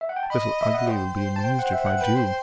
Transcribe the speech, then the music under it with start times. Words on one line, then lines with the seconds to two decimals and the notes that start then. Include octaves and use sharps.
Little Ugly will be amused, if I do.
0.01 E5
0.09 F#5
0.16 G5
0.23 A5
0.30 D#5 B5
0.61 E5
0.74 F#5
0.87 C5 G5
1.36 A5
1.44 G5
1.59 F#5
1.73 E5
1.86 F#5
1.97 C5
2.01 B4 G5
2.15 C5